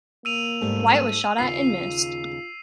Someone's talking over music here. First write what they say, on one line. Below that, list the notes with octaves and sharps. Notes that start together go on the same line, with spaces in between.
Wyatt was shot at and missed.
A#3 E6 D#7 F7
G#2 G3 A3
D#2 C#3 F4 C7